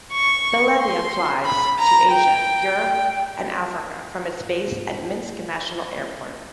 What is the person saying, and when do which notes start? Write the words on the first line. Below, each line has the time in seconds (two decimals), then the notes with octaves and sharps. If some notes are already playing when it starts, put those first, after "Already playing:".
Belavia flies to Asia, Europe and Africa from its base at Minsk National Airport.
0.13 C#6
0.79 C6
1.46 B5
1.79 A#5
2.12 G5